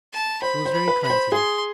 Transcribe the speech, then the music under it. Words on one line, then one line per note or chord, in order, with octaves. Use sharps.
She was very kind to me.
A5
C5 B5
C5
B5
B4
B5
C5
G#4 C6